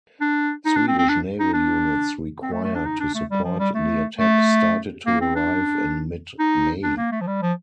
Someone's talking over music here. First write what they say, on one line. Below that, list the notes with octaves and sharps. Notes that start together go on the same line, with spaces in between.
Swedish naval units required to support the attack started to arrive in mid May.
D4
D#4
D4
C4
C4
D4
D#4
D4
C4
A3
A3
D4
D#4
D4
A3
G3
F3
G3
A3
A3
A#3
C4
D4
D#4
D4
A#3
A3
F3
G3
F3